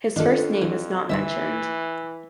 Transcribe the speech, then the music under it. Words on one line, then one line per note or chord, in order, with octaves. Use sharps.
His first name is not mentioned.
F2 D#3 A3 D4 F4 A4
E3
D2 G2 E3 E5 C6